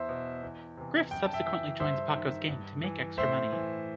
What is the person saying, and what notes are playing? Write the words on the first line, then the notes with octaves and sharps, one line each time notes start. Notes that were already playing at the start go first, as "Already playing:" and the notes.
Griff subsequently joins Paco's gang to make extra money.
Already playing: E2 C5 E5
B2
E2
C3 E3
F#2 G5
A5
E5 G5
E3 E5 G5
G2 C5 E5
D#3
G2
E3
A2 C5 E5
E3